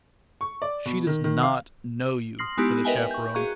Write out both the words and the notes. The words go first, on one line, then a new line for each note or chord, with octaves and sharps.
"She does not know you," said the chaperone.
C#6
D5
B2
D#3
D#3
F5
C6 D#6 F6 A#6 C7 F#7
G#3 B3 D#4 E4 G4
A#4 B4 D#5 E5 G5 G#5
C#6 G6
F#4 G#4 F5 A#5 C#6 F#6